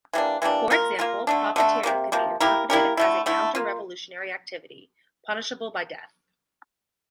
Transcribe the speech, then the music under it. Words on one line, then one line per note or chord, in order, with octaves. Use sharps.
For example, profiteering could be interpreted as a counter-revolutionary activity punishable by death.
E3 G3 A#3 D4
E3 G3 A#3 D4
A#3 F4 A#4
A#3 F4 A#4
D3 A3 D4
D3 A3 D4
C3 F3 A#3
C3 F3 A#3
A#3 E4 G4 A#4
A#3 E4 G4 A#4
D3 A3 E4
D3 A3 E4
A#3 F4